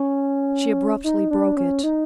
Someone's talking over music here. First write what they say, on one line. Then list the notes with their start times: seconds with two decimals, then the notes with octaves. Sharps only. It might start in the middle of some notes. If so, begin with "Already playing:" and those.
She abruptly broke it.
Already playing: C#4
1.04 D#4
1.31 D4
1.57 C#4
1.83 D#4